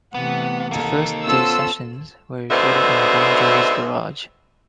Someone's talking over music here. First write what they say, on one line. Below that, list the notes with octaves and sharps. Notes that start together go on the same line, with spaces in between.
The first two sessions were recorded in Bon Jovi's garage.
C3 E3 A3 B3 F#5
A#3 D#4 A4
B3 C#4 F4 A4 C5 E6
G#2 B2 D3 C4 D#5 E5